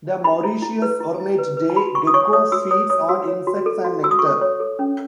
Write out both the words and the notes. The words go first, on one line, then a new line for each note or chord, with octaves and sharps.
The Mauritius ornate day gecko feeds on insects and nectar.
E4 B5
E4
E4
B4
E4
E4
B4
B4
A5
F#4 B5
F#4 C#6
D#6
C#5 C#6
C#5 D#6
F#4 E6
C#5 D#6
C#5 D#6
F#4 E6
C#5
F#4
A4
F#4
F#4 E6
D#6
C#6
A4 D#6
C#5
A4
C#4